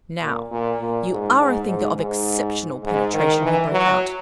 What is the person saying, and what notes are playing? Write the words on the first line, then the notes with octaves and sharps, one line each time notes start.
'Now, you are a thinker of exceptional penetration,' he broke out.
A#2
A#2
A#2
G#2
G#2
G#2
G#2
G#2
D#3
E3
F#3